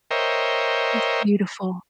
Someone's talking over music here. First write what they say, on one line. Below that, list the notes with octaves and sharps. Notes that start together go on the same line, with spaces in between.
It's beautiful.
A#4 C5 C#5 D#5 E5 G5